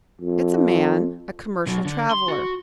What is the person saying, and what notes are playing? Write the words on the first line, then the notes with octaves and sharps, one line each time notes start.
It's a man--a commercial traveler.
F2
B2 F#3
D3
C6
F#4